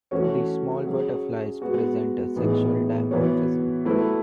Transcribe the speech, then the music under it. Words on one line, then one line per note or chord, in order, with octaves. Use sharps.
These small butterflies present a sexual dimorphism.
E3 A3 C#4 F#4 C#5
F#3 C#4 G#4
G#3 B3 F#4
A2 E3 B3 D#4 G#4
E3 B3 F#4 C#5
F#3 A3 E4 B4